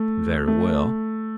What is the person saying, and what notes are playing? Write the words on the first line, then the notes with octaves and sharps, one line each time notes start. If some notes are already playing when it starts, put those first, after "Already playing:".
"Very well."
Already playing: A3
A3